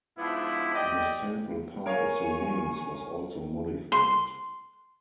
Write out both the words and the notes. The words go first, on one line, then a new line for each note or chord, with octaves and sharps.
The central part of the wings was also modified.
G#2 F3 B3 D4 E4
G4 D5 D#5
A#4 C#5 F5 G#5 C#6
C6